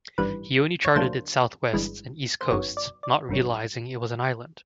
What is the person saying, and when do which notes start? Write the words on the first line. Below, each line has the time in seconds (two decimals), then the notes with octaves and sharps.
He only charted its southwest and east coasts, not realizing it was an island.
0.18 G#1 G2 E3 G3 B4
0.85 C#5
0.95 D2 D3 F#3 A#3 D4 C5
1.73 G1 G2 E3 G#3
2.41 C5
2.51 G1 F#2 D#3 F#3 B3 C#5
2.77 D5
3.03 D5
3.29 G#1 G2 D#3 F#3